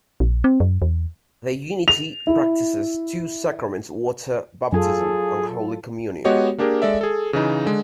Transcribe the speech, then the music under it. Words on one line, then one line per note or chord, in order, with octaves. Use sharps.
The Unity practices two sacraments-water baptism and holy communion.
A#1
C4
F#2
E2
F7
E4
F#2 F#3 F4 G#4 A4 G#5
G#3 B3 F#4 G4 C#5 D#5
A#3 D4 G4 G#4 A#4
G#3 A4 D5 E5
G#4 A4
C#3 E3 D#4
D3 G#3